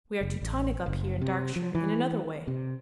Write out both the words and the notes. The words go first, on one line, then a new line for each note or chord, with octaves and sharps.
We are Teutonic up here in Darkshire in another way.
F#1
A1
F#1
C3
F3
E3
C3